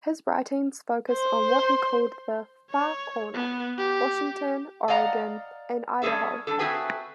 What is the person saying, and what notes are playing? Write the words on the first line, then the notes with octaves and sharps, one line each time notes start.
His writings focused on what he called the "Far Corner": Washington, Oregon, and Idaho.
C5 C6
C#5
B3
G4
D5 D#5 F5 F#5 A#5
G3 C#4 G#4 A4 E5
G3 D4 A4
A3 C4 F#4 G#4 B4